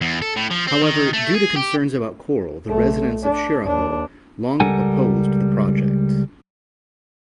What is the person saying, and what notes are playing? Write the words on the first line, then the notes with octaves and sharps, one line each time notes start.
However, due to concerns about coral, the residents of Shiraho long opposed the project.
E2
A4
A2
F3
C4
D#3
A3
G#4
G4
B1 A3
D4
D#2 D4
C#2 G3 A4 A#4 F#5 G#5